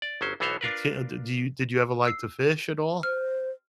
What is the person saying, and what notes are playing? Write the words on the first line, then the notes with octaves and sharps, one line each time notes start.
it's can d do you did you ever like to fish at all?
D5
G1 F#3 C#4 C5
B1 E3 B3 F#4 C5 C#5
D4 F4 A#4 B4
E6 C7
C5 F6